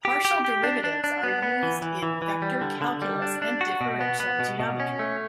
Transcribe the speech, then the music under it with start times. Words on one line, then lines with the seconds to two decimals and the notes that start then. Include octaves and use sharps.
Partial derivatives are used in vector calculus and differential geometry.
0.05 G4
0.25 G4
0.45 G4
0.64 D4
0.84 D4
1.04 D4
1.24 B3
1.43 B3
1.63 E3
1.82 E3
2.03 E3
2.22 E3
2.42 G3
2.61 D3
2.82 D3
3.02 G3
3.22 D4
3.42 D4
3.61 F#4
3.81 B2
4.01 B3
4.20 B3
4.40 B2
4.60 B2
4.80 C#4
4.99 A3